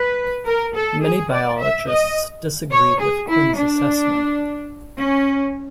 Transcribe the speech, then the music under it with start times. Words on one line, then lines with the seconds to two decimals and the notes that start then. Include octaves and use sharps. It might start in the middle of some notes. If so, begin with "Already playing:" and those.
Many biologists disagree with Quinn's assessment.
Already playing: B4
0.45 A#4
0.74 A4
1.02 G#4
1.30 D5
1.59 E5
1.87 D#5
2.72 C#5
3.00 G#4
3.29 E4
3.56 D4
4.98 C#4